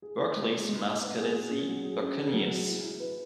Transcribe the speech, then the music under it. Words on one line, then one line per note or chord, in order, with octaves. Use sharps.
Berkeley's mascot is the Buccaneers.
G#4
D#4
G#3
G#4
G#3
D#4
B3
G#4
G#4
C#4
F#3
G#4
C#4
G#4
F#3
G#4
E4
E4
B4